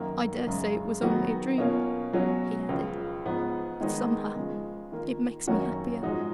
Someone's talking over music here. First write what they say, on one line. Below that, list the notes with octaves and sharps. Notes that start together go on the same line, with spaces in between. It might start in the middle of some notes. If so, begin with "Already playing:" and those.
I dare say it was only a dream," he added, "but somehow it makes me happier.
Already playing: F#2 D#3 A#3
F#2 C#3 G#3
D#3 F#3 B3 F#4
B2 A#3 C#4 F4
B2 F#3 C#4 F#4
C#2 C#3 F3
G#2 F3 B3
D#3 G#3 B3 D#4
C#3 F3 G#3
D#3 A#3 F4
F#2 D#3 A#3 C#4 F#4
G#2 F3 G#3 D#4 F#4